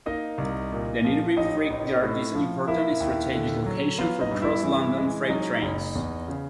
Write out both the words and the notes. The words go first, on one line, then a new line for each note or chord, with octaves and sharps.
The nearby freight yard is an important strategic location for cross-London freight trains.
A#3 D#4 D#5
C2
A#2
F3
A1 D#4 D#5
A1
A2
F3
A#3 E4 E5
D#2
D3
F#3
B3 F4 F5
D#4 D#5
G2
E4 E5
E3
G#3
F#3 D#4 D#5
F#1
E2
C#3